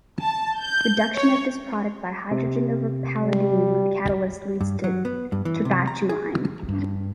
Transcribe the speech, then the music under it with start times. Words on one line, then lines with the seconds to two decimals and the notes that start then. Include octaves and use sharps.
Reduction of this product by hydrogen over a palladium catalyst leads to terbutaline.
0.22 A5
0.60 G6
1.16 C#5
2.31 C3
3.19 G3
4.61 G2
4.84 F#3
5.05 B3
5.32 G2
5.45 E3
5.65 C3
5.87 A#5
6.09 G#4
6.69 G2